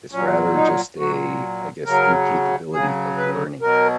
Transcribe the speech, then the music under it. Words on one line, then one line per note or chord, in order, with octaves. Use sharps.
It's rather just a, I guess, incapability of learning.
A#2 F#3 C#4
D#4
A#2 F#3 F#4
C#3 F#3 A#4
C#3 F#3 G#4
B4
B2 F#3 A#4